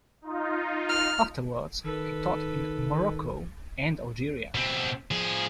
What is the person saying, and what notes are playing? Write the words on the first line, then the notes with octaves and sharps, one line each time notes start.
Afterwards, he taught in Morocco and Algeria.
D#4 F4
F6
D#3 A4 B4
B2 C4
F3 G#4